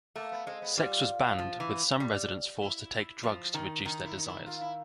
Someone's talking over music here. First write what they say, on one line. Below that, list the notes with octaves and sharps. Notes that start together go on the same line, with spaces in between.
Sex was banned, with some residents forced to take drugs to reduce their desires.
A3 A#3
B3
G#3 C4
B3
G3 F4
F3
E3
G3
E4
F3
D#3
D#3 D#4
E4
D#4
E4
F4
E4